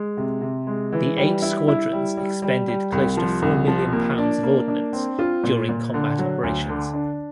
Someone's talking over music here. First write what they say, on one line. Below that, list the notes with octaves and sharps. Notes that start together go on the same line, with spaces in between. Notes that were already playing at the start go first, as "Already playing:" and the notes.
The eight squadrons expended close to four million pounds of ordnance during combat operations.
Already playing: G#3
C3
C3
G#3
E3
G3
E4
E4
G3
G3
G3
G3
C2
F3
C2
F3
A#3
D4
A#3
D4
C4
F4
A#2
A#2
D3
F#3
D2
D3
D4